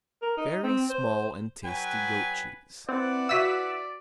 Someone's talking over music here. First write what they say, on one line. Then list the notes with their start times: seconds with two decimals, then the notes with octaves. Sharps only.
Very small and tasty goat cheese.
0.22 A#4
0.38 D#4
0.63 C4
0.90 C5
1.65 F#3 B4 G5 G#5
2.89 C4 E4 B4 D5 F#5
3.29 F#4 E5 F5 E6 B6